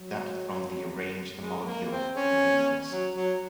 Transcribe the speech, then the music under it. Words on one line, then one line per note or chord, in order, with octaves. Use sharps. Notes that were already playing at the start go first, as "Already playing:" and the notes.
Adapted from the "Arrange the Molecule" liner notes.
Already playing: F#3
G#3
A#3
C4
C#4
F#3
F#3